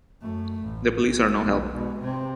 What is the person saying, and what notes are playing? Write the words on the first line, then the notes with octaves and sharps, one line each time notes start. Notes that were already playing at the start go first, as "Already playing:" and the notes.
The police are no help.
F#2 A3
A1
B1
B1 E2
B2 G#3
C3 C4